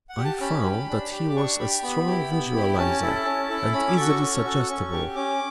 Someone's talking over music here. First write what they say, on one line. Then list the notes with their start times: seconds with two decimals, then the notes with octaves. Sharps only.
I found that he was a strong visualizer and easily suggestible.
0.09 F#5
0.17 G4
0.25 A5
0.40 C#4 B5
0.64 G4
0.89 D4
1.12 G4
1.30 D6
1.36 D4 C#6
1.60 G4 B5
1.83 B3 B5
2.06 E4 G4
2.31 B3
2.54 E4 G4
2.78 C#4 A5
3.02 E4 A4
3.25 C#4
3.49 E4 A4
3.73 C#4 B5
3.88 D6
3.96 F#4 A4 C#6
4.21 C#4
4.45 F#4 A4
4.69 C#4
4.92 G4
5.16 C#4 D6